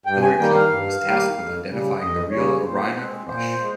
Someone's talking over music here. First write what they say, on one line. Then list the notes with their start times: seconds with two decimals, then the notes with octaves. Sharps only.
Hillary Clinton was tasked with identifying the real Irina Krush.
0.06 G2 G5
0.22 G#5
0.38 D#3 G3 A#3 G5
0.54 F5
0.71 G2
1.02 D#3 G3 A#3
1.35 F2
1.68 C#3 G3
1.99 F2 D#5
2.31 C#3 G3 C#5
2.64 A#2 C5
2.96 G#3 C4
3.28 A#2 C5
3.61 G#3